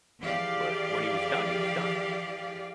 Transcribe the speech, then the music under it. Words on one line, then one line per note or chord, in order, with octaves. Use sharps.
but when he was done, he was done.
E3 F3 G4 G#4 D5 F5